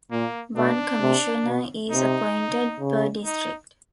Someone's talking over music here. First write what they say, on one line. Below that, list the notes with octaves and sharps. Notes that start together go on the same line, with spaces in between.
One commissioner is appointed per district.
A#2 A#3
B2 D4
C3
B2
C3 D#4
C#3
D#4